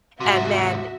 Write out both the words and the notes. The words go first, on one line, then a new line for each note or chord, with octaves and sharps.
And then
G#2 C3 F#4 E5